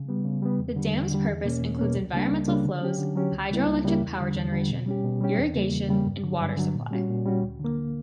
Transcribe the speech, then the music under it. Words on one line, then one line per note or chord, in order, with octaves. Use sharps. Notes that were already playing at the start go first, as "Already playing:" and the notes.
The dam's purpose includes environmental flows, hydro-electric power generation, irrigation, and water supply.
Already playing: C#3
G3 B3
C#3
G3 B3
E2
D3 G3
E2
D3 G3
E2
B2 A#3 C#4
E2
B2 A#3 C#4
C#2
C#3 G3 A#3 D4
C#2
C#3 G3 A#3 D4
D3
F#3 C#4 G4
D3
F#3 C#4 G4
C#2
C#3 G3 A#3 E4
C#2
C#3 G3 A#3 E4
E2
D3 G3
E2
D3 G3
B2
G3 C#4 G4
B2
G3 C#4 G4
E2
C#3 G3 A#3
E2
C#3 G3 A#3
G2
D3 F#3
G2
D3 F#3
A#2
G3 C#4 F#4
A#2
G3 C#4 F#4
D2
D3 A#3